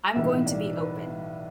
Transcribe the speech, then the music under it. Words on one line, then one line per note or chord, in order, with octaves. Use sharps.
I'm going to be open.
B1 A2 E3 G3 E5
D5
B4